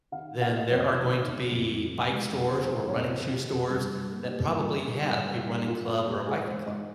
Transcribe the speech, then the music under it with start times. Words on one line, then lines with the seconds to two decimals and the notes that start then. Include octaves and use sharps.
then there are going to be bike stores or running shoe stores that probably have a running club or a biking club.
0.12 D#3 F5
0.32 D#3
0.42 F5
0.51 A#3
0.57 D#5
0.71 F2 C#5
0.91 D#3
1.11 D#3
1.31 C#3
1.51 F2
1.71 F2
1.91 C#3
2.11 G#3
2.31 F2
2.50 C#3 C5
2.64 C5
2.70 C#3
2.79 C5
2.89 F2 C#5
2.95 D#5
3.09 C#3 C5
3.29 C#3 G4
3.49 F2 G#4
3.69 G2
3.89 G2
4.09 A#3
4.28 A#3 G4
4.48 G2
4.58 F4
4.68 A#3
4.88 G3 D#4
5.08 G2
5.28 G2
5.47 G3 D#4
5.67 G2 F4
5.87 A#3 F4
6.07 G#2 G4
6.27 G#3 G#4
6.46 G#2 C5
6.66 G#2 D#5